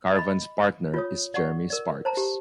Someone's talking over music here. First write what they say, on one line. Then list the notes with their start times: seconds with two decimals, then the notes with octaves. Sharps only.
Karvan's partner is Jeremy Sparks.
0.16 D#5 B5
0.94 F4 C#5 D#6
1.34 D5 F#5 C#6
1.70 A#4 D5
2.05 C5 A5 A#5
2.17 G4